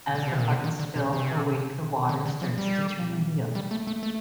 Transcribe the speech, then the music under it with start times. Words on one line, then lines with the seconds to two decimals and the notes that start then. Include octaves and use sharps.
As the buckets fill, the weight of the water starts to turn the wheel.
0.15 D3
0.27 C3
0.39 A#2
0.50 C3
0.64 D#3
0.79 D3
0.96 C3
1.13 C3
2.09 D3
2.26 D3
2.42 F3
2.58 G3
3.55 G3
3.71 A3
3.87 A3
4.03 A3